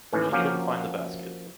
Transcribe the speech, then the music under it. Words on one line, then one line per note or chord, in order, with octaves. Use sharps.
She couldn’t find the basket.
D#2 A2 E3 C#4
F3 F#3 A#3 C#4 G4 F5